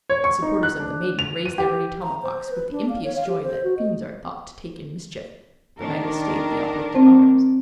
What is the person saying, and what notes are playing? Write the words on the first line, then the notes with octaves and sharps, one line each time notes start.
The supporters of the maiden raised their ready tomahawks with the impious joy that fiends are thought to take in mischief, but Magua stayed the uplifted arms.
C#5
C#6
D#4
F#6
D4
F7
D#7
G4
A#5
C5
B4
D4
F5
C#5
F5
G4
C5
F#4
D#5
D#3 D4 A#4
C4 C5 A5